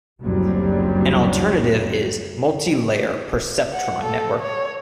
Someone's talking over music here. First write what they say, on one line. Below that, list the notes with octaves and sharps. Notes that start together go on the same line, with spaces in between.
An alternative is "multilayer perceptron network".
F#1 D2 F#3 G3 C4
F#5
A4
C#5